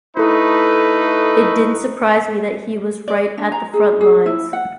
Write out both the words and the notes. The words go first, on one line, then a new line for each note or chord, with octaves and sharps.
It didn't surprise me that he was right at the front lines.
A3 D#4 E4 A4 B4
D5
D4
A#5
G#4
G#4
E4
F#5